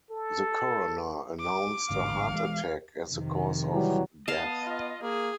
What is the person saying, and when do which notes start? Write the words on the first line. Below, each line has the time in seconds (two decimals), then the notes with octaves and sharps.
The coroner announced a heart attack as the cause of death.
0.11 A4
1.40 D6
1.90 A1 G#2 D3 F5
2.34 E3 G#3
3.08 F2 C3 D#3
3.71 E3 F#3 G3
4.28 B3 D#5 F5 A5
4.63 F4
5.02 A#3 G#4